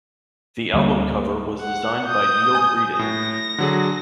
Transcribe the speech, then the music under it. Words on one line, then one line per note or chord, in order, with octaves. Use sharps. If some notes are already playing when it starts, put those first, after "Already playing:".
The album cover was designed by Neil Breeden.
D2 G3 A#3
F#5
D#6 G6
G#5
A2 A#6
D3 F#3 G#4